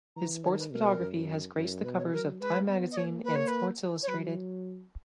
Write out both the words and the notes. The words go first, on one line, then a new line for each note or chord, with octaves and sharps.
His sports photography has graced the covers of Time Magazine and Sports Illustrated.
E3 A#5
D#3 C#5
B4
B2 A#4
F#2
F#2
B2 B4
C#5
F#3 A#4
G#3 B4
B3
D#5
A#3 C#5
A#3 B4
C#5
B4
C#5
F#3 B4